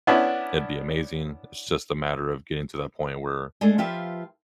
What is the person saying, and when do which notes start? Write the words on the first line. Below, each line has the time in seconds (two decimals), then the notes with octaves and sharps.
it'd be amazing. It's just a matter of getting to that point where
0.07 B3 C#4 D4 E4
3.61 G#3 A3 D4 G#4 A4
3.78 F3 F4 G4 B4 E5